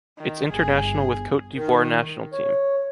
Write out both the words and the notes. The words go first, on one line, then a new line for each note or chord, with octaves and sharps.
It’s international with Côte d'Ivoire national team.
D#3
G1 G#4
D#3
C#5